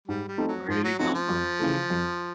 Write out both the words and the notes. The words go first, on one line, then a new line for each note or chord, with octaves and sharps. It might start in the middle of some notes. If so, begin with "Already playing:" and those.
Where did he come from?
G#2 G3
G3
F3 A3 C4 D#4
F#3
G#2 F3
F#3
F3 F#3 A3 C4 D#4
F3
F2
C#3 E3 A3
F2